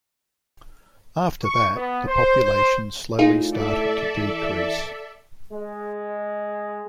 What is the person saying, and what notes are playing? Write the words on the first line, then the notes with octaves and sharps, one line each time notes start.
After that, the population slowly started to decrease.
C#6
B3
C5
C5
A2 D#4 F4 G#4
A4 D5 E5
E3
G#3